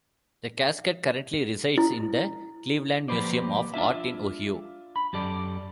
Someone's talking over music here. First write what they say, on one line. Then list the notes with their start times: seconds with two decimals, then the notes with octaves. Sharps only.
The casket currently resides in the Cleveland Museum of Art in Ohio.
1.78 E4
3.08 F3 A#3 G4 B4 C5 D5
3.74 D4 F4 E5
4.96 B5
5.13 F#2 G4 A4 D5